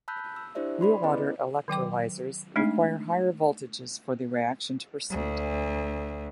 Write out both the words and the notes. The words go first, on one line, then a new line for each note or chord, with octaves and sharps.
Real water electrolysers require higher voltages for the reaction to proceed.
A5 B5 E6 F#6 G6 B6
E6
D4 E4 G4 C5 D5 E5
D5 B5 C6
B3 C#4 E4 G#4 B4 D#5
D#3 F#3 G5 D6
G#3 A3 C4 D4 D#4
D2